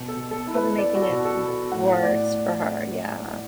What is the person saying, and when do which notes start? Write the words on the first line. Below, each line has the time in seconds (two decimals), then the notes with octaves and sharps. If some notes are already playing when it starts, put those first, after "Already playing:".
Probably making it w worse for her, yeah.
Already playing: B2
0.08 A4
0.16 B2
0.31 A4
0.47 E4
0.55 B4
0.78 B3 D5
0.95 F#4
1.02 A4
1.09 B2
1.25 A4
1.40 B2
1.48 A4
1.71 A2 F#5
2.03 A2 D5